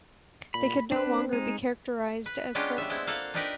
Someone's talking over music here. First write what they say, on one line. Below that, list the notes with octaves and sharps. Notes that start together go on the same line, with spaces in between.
They could no longer be characterized as folk.
A#2 B5
C4 D4 B4
G#3 D#4
B4
G#3 B3 C#4 D4 F4 G4
G3 E5
G#3 B3 C4 E4
A#3 F4 A4 F5 F#5
D4 D#4 F4 G4 A#4 B4